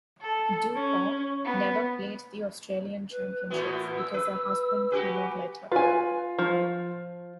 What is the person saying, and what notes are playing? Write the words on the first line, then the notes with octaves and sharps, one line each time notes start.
DuPont never played the Australian Championships because her husband would not let her.
A4
C#4
B3
B4
A2 E3 B3 F#4
E6
B4
F#4 G4 B4 G#5
F4 B4 G#5
F3